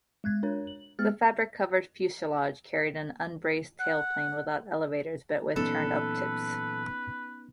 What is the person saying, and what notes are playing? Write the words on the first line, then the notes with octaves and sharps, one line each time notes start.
The fabric-covered fuselage carried an unbraced tailplane, without elevators but with turned-up tips.
G#3 F#6 G#6
D4 A#4 C#5
F#7
G#3 B3 G#4 F6 A6
F#5
A#2 E3 F#3 B3 C#4 D#4 A4 B4